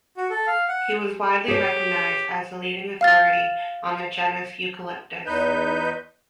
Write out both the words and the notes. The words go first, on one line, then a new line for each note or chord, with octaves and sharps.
He was widely recognised as the leading authority on the genus "Eucalyptus".
F#4
A4
F5
F#5
G4 G#4 C#5
F5 F6 A6
E2 D#4 B4 G6